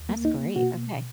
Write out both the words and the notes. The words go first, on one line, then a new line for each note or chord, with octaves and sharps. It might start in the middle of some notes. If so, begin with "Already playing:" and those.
That's great, okay.
Already playing: D#2
A#3
D#4
B2 F#4